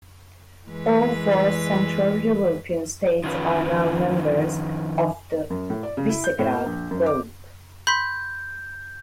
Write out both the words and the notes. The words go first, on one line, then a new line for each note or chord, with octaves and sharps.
All four Central European states are now members of the Visegrad Group.
E3 G#3 B4
D#3 F3 C#4 F4 B4
F#2
A2
D5
C#3
E4
G6
A2
A#3
A#1
F#2
D6
B5 C6 G6 B6